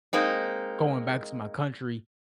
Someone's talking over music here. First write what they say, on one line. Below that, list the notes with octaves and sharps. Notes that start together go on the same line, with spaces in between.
going back to my country
G#3 A#3 C4 D#4